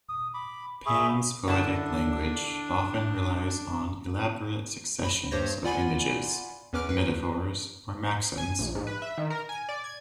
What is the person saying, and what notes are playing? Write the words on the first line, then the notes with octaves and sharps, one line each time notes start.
Pann's poetic language often relies on elaborate successions of images, metaphors, or maxims.
D#6
B5 D6
G#4 E5 B5 C#6
D3 D4 E4 A5
B5 A#6
G2 G4 C5 C#5 A#6
F4 D5 F#5 G#5 B5 C6
E2 C#4 B4 D6 F6 D7
B4
G#5
A#1
G#2
B4
E5
D#3
A#4
G#5
D5
G#6